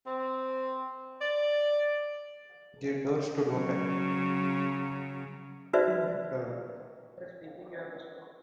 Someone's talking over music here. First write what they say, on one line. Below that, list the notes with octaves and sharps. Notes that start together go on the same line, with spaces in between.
The door stood open.
C4
D5
C#3 F#3
D#4 F#4 B4 C5 D5 E5